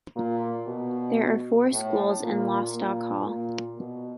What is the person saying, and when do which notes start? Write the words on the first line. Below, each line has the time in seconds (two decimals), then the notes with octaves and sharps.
There are four schools in Lostock Hall.
0.16 A#2
0.67 B2
1.71 A2
2.22 A#2
2.75 A#2
3.26 A#2
3.77 B2